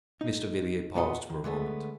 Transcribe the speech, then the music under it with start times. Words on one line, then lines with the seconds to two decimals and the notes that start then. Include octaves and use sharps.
Mr. Villiers paused for a moment.
0.21 D#4
0.95 E2 A#2 B3 F4 F#4 D#5
1.30 D#3
1.44 D3 G#3 A3 B3